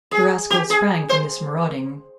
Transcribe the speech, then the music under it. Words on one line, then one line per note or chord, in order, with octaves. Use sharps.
The rascal sprang from this marauding.
G#4
G4
G#4
C5